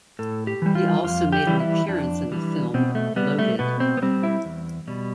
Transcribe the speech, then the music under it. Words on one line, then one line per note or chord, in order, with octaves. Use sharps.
He also made an appearance in the film "Loaded".
A2 A4
G4
E3 G3
F4
F2 F4
G4
E3 G3
E4
F2 D4
E3 G3
B2 C4
A3
G3 B3
A3
B2 B3
C4
B3
G3 C4
E4
E2
B2 G3